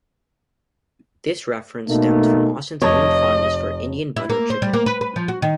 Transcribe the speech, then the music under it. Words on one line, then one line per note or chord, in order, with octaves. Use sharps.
This reference stems from Austin's own fondness for Indian buttered chicken.
B2 A3 A#3 D#4
F1 C#5 D#5 A5
E4
A#3
C5
G3
A#3
B4
B4
F3
F#4
D#3